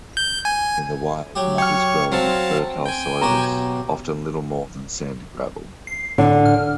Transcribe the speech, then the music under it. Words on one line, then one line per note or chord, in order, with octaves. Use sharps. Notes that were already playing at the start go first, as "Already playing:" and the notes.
In the wild muggas grow on infertile soils, often little more than sandy gravel.
G6
G#5
F#3 G4
C#5 G5 C#6 F6
F#3 C4 F5 A5
G5 G#5
B1 F#4 G4 A#5
C7
A2 D3
F6